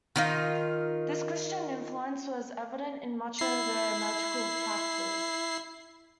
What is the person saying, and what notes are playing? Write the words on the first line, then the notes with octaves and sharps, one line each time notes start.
This Christian influence was evident in much of their magical praxes.
D#3 D#4 F4
E4 C7